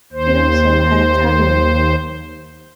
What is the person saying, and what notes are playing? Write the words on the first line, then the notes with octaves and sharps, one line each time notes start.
It also had a tannery.
D#2 C5